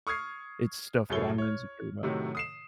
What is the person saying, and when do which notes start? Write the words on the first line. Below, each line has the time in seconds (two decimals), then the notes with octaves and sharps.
It's stuff that I'm insecure about.
0.07 C#6 D#6 F6 G#6 C7
1.10 C2 F#2 G#4 A4 C#5 G7
1.38 C#5 F6
2.03 A2 C3 D#3 F#3
2.35 D#6 C7 E7